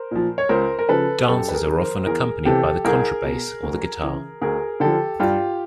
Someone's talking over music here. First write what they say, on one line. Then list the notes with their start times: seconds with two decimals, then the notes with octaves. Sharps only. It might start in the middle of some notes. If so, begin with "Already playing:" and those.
Dances are often accompanied by the contrabass or the guitar.
Already playing: A#4 C5
0.11 A#2 F3
0.38 C#5
0.49 C#2 A#4 C5
0.79 A#4
0.89 C#3 F3 A4 B4
1.28 F#2 G4 A4
1.48 B4
1.54 G#4 A#4
1.67 D#3
1.80 A#4 C5
2.06 E2 G#4 A#4
2.45 C3 E3 G4 A4
2.85 C2 G#4 A#4
3.24 B2
3.63 D2
4.02 C#3 E3
4.41 D2 G#4 A#4
4.80 D3 F3 G4 A4
5.20 G2 F4 G4